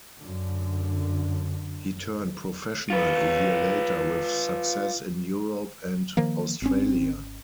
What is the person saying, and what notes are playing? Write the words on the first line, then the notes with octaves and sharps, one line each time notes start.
He turned professional a year later with success in Europe and Australia.
F#2 D3
F4 B4
D#3 F3 A#3
G#1 C4 C#4